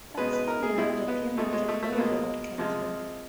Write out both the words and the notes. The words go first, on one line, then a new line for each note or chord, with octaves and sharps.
That same year, the Pere Marquette Railroad came through.
B2 G#3 B4
B4
A#4
G#4
B2 G#3 E4
B3
B2 G#3 A3
G#3
A3
A3
B3
B2 G#3 A#3
C3 F3 G#3